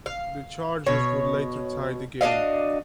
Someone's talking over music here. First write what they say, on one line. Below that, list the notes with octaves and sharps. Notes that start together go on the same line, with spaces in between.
The Chargers would later tie the game.
F5
B2 C#5
D4 F#4 D#5 F5